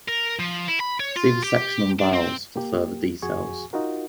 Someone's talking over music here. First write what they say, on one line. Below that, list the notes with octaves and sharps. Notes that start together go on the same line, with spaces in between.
See the section on vowels for further details.
A#4
F3
E4
B5
C#5
F4
G4
D4
C4
A#3 G4
F2 F#4 G#4 G#5 C#6
D#4 F4 F#4 A#4